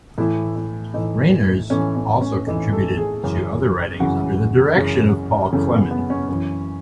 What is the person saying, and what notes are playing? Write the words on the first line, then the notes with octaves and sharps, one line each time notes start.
Reiners also contributed to other writings under the direction of Paul Clemen.
A2 E3 E4
E4
A2 E3 D#4
A2 E3 C#4
C#4
C#4
A2 E3 D#4
A4
G#4
F#2 C#3 E3
F#2 C#3 E3 F#4
F#2 C#3 E3 G#4
F#2 C#3 E3 A4
B3
B3
C#4
F#2 E3